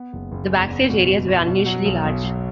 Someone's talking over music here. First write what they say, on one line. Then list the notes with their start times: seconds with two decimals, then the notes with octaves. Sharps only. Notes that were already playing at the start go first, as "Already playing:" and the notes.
The backstage areas were unusually large.
Already playing: B3
0.13 F#1
0.32 F#1
0.50 E2
0.71 B3
0.90 B2
1.09 B2
1.28 B2
1.47 B2
1.66 F#3
1.85 B1
2.04 B1
2.24 F#3